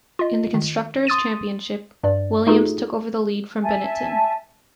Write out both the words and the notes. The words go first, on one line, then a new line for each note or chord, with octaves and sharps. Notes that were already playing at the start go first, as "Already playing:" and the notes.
In the Constructor's Championship, Williams took over the lead from Benetton.
F4 D#5
D#3
C6 D#6 A6 D#7
G2 D5
A3 D#4 F4 F#4 G#4 A4
E5 G#5 A5